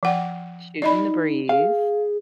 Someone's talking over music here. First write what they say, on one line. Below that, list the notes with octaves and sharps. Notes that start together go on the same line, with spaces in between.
Shooting the breeze.
F3 F#5 G5
D#4 D5 D#5 B5
G#4 F5